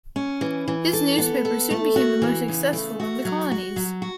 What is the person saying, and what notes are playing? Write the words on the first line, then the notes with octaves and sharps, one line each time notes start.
His newspaper soon became the most successful in the colonies.
C#4
E3
E3
A4
B3
A4
A3
F#4
E3
C#3
A3
F#4
F#3
F#4
F#3
F#4